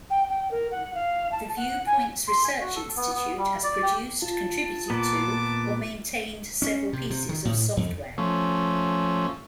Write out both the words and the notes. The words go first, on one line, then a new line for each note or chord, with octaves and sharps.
The Viewpoints Research Institute has produced, contributed to, or maintained several pieces of software.
G5
G5
A#4
F#5
F5
A5
F#5
G#5
C6
G#5
F#4
A4
B3
B3
G3
D5
G4
F4 A5
A#2 B3 D6
C#4
C3
C3
D#3
A2
F2
F3 A3 C#4